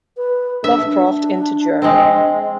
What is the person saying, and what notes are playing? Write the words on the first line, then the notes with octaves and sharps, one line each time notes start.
Lovecraft into German.
B4
D4 E5
D4
G#3 C4